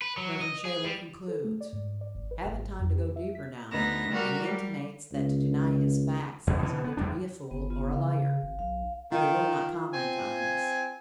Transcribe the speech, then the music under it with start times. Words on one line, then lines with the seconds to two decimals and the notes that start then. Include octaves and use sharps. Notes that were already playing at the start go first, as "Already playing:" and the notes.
Rev. Shayler concludes: "Haven't time to go deeper now," and he intimates that to deny his 'facts' is either to be a fool or a "liar." We will not comment on this.
0.02 B4
0.17 F#3
0.41 D#5
0.65 G#4
0.84 G3
1.28 A4
1.44 A3
1.61 D5
1.73 G#2
2.01 D5
2.15 G#1
2.31 B4
2.45 G#1
2.80 F2
2.95 G4
3.16 E5
3.35 B6
3.70 D2 B3 D#4 A#6
4.10 G3 F#4 A#4
4.42 G3
5.12 C#2
6.47 A1 E2 B2 E3
6.63 B2 D3 E3
6.84 B3
6.97 E2 G3 G#3 D4
7.51 G1 B3
7.70 B3 F4
7.93 C#3 F5
8.43 G#1
8.59 B1 F5
9.12 D#3 F4
9.93 C4 G#5